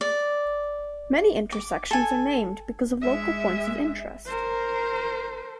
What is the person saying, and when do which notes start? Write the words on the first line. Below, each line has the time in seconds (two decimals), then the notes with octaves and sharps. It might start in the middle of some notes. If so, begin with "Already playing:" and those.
Many intersections are named because of local points of interest.
0.01 D5
1.52 D6
1.91 A4 G#5
3.02 G#3 E5
4.26 A#4 C5